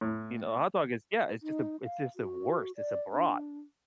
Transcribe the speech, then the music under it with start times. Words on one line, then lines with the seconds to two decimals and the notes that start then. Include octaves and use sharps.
You know, a hot dog is yeah, it's just a it's just a wurst, it's a brat,
0.01 A2
1.43 D#4
1.84 F5
2.16 F#4
2.77 D5
3.12 D4